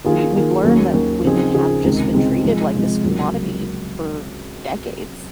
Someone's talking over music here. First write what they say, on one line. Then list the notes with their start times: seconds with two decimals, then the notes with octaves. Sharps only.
we we've learned that women have just been treated like this commodity for decades.
0.04 D#3 A#3 F4 G#4
0.34 D#3 A#3 F4 G#4
0.63 D#2 D#3 F#3 C#4 F#4
0.94 D#2 D#3 F#3 C#4 F#4
1.24 C#3 F3 C4 D#4 G#4
1.54 C#3 F3 C4 D#4 G#4
1.84 C#2 C3 D#3 G#3 C4
2.14 C#2 C3 D#3 G#3 C4
2.44 C3 F3 G#3
2.74 C3 F3 G#3
3.04 C#2 C3 F#3 A#3